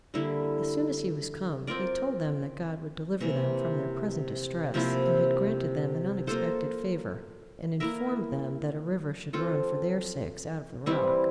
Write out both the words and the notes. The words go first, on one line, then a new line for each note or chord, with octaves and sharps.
As soon as he was come, he told them that God would deliver them from their present distress, and had granted them an unexpected favor; and informed them, that a river should run for their sakes out of the rock.
D3 G3 A#3 E4
C4 F4 A#4 D5
C3 E3 A#3
C3 F3 A#3 E4
A#3 F4 A4 C5
A#3 E4 A#4 E5
C4 F4 A4
E3 G3 C4 E4